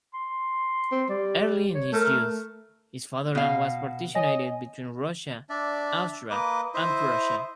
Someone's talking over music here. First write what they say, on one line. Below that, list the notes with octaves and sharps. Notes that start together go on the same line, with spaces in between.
Early in his youth his fatherland was partitioned between Russia, Austria and Prussia.
C6
C4
G3 D5
C#5
A3 A#4
B2 F5
C#5 D#5 G#5 A#6
D4 D5 E5
A#3 B4 D#5 D6
E4 C5 D#5 E5